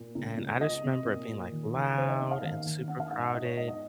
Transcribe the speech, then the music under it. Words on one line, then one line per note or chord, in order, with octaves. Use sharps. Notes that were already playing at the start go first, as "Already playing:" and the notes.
and I just remember it being, like, loud and super crowded,
Already playing: A#2
C#2
C#2
F4 D#5
C3
A#2
A#2
D#2
D#2
D#4 C5
D#5
C#3 D#5
F5
D#2
D#2
C#4 F#5
F5
G#2 F5
F#5
F4 D#5
C#5
G#2 D#5
D#5